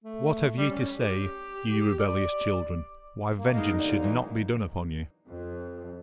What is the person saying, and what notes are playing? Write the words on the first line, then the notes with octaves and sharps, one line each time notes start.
"What have ye to say, ye rebellious children, why vengeance should not be done upon you?"
A3
G3
C#4
G4
D5
A#3
B2 G#3 D#4 D#5 F5
D#2 D3
F#2 A#2 E3
F2